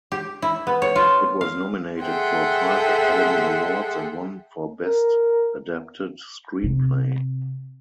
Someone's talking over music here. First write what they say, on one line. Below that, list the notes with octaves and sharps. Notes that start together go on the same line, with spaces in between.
It was nominated for five Academy Awards and won for Best Adapted Screenplay.
G4
E4
B3
C#5
F4
F5
G#4 A4 E5 F#5 G5 C6
A#4
C3